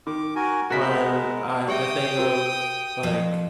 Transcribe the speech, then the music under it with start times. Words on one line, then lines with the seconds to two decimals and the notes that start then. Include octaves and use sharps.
When I I think of, like,
0.07 D#3 D6
0.36 F#4 A#4 G#5
0.70 G#3 B3 F#4 A#4 B6
1.68 G4 G#4 E5 G5 D#6
2.19 F#4 A#4
3.03 F2